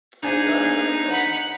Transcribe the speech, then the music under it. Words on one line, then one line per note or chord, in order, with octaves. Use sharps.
I'm good, how are you?
D4 D#4 G#4 C5 G#5
F#5 B5